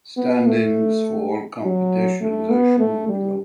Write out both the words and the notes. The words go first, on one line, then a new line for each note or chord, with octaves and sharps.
Standings for all competitions are shown below.
B3
A3
F#3
A3
B3
A3
G3